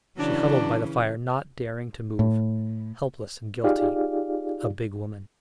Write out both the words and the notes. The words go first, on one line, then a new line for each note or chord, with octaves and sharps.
She huddled by the fire not daring to move, helpless and guilty, a big woman.
C#3 E3 F#3 D4
A2
D#4 F4 G4 G#4 D5 F5